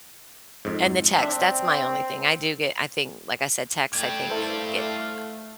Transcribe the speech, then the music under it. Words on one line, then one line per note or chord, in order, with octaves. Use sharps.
and the text, that's my only thing I do get I think like I said, text, I think, get, uh
F2 G#2
C4 D4 E5
A3 D4 G4 G5 G#6
E4 A4 C5 F5